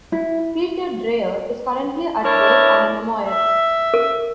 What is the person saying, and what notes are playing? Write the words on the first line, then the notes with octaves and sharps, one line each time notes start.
Peter Dreyer is currently at work on a memoir.
E4
D4 E4 A#4 C#5 D5 A5
E5
A#4